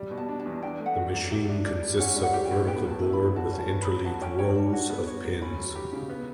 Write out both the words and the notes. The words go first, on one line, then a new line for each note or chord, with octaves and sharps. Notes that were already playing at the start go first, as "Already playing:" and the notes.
The machine consists of a vertical board with interleaved rows of pins.
Already playing: G3
B2
A5
D4
A5
E2
D4 G5
A3
F#5
F#4
D5
F#3
G4 E5
D4
D5
G3
C#4 F#5
G3
F#5
G4
G5
A2
B3 G5
F#3 A5
E4
B5
D3
F#4 A5
C#4
A5
B4
B5
F#3
F#4 A5
C#4 G5
C#5 G5
G3 A5
F#4
B3
C#5
F#3
C#4 B5
F#3
G4
C#3
B3